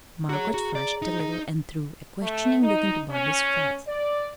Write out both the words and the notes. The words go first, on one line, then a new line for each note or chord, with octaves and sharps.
Margaret flushed a little and threw a questioning look into Bobby's face.
F#4 G#4 C#5 A#5
F#4
D5
D#4
D#4
A3
D#4
C#4
D5